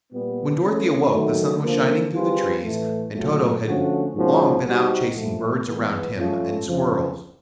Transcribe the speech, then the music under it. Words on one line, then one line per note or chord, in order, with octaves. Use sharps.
When Dorothy awoke the sun was shining through the trees and Toto had long been out chasing birds around him and squirrels.
A#2 G3 B3
E3 A3 C#4
D#3 F#3 A3
D3 F3 A#3
G3 C4 F4 G#4 B4
A2 E3 A3
A#2 F#3 A3
D3 F3 A3 C#4 F#4
G#2 F3 A#3 C#4 F#4
G3 C4 D#4 F#4
A#2 F3 A3
E3 G#3 B3
F3 A3 C#4 F4 A4
F2 C#3 F3